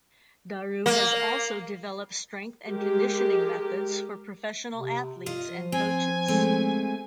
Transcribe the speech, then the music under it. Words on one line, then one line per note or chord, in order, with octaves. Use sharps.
Daru has also developed strength and conditioning methods for professional athletes and coaches.
A#3
G#3 G4 A#4
C3
F4 D#5
F3
C4 G#5
G#3 A3 C4